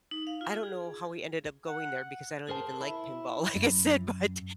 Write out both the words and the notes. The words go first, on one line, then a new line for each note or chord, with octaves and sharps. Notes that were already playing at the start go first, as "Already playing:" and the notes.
I don't know how we ended up going there because "I don't even like pinball," like I said, but,
D#4
F5
F4
G#4
F#5
G#4 A#4 C5 G#5 A5
E4
F#2